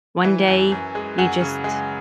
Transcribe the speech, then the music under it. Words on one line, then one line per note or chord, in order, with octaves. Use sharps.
one day, you just
E3
F#2
F#2
G#3
F#2 F#5 G#5
C#3
G#3